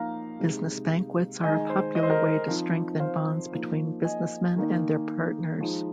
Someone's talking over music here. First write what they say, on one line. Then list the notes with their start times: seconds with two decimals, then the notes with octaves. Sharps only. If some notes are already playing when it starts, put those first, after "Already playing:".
Business banquets are a popular way to strengthen bonds between businessmen and their partners.
Already playing: F3 A#3 D#4 F5 A#5
0.39 C3 G#3 D#4
1.44 D#3 G#3 D#4 D#5 G#5
1.69 C5
1.95 D#5
2.03 C5
2.10 A#4 D#5
2.48 F3 C4 D#4
3.00 C5 F5
3.52 F3 A#3 D#4
4.04 D#5 G#5
4.56 D#3 A#3 D#4
5.61 F3 G#3 D#4